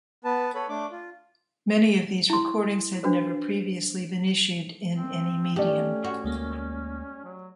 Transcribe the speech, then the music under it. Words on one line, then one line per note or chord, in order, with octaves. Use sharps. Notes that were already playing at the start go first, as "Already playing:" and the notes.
Many of these recordings had never previously been issued in any medium.
B3 B4 A5
A4 B4 C#5 B5
A3 D4 D6
F4
E4 C6
D4 F#4 B4 C5
C4
A3 C#4 G4 D5
F#4
D2 G#3 A#3
F#3